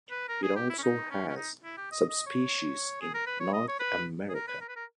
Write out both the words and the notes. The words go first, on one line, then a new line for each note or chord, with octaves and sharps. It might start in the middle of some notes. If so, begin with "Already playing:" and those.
It also has subspecies in North America.
B4
A#4
G#4
G4
E4
C#4
D#4
C#4
C#4
D#4
E4
G4
D#5
D#5
C#5
G#4
A#4
B4
C#5
D#5
C#5
B4
G#4
A#4
B4
A#4
B4
A#4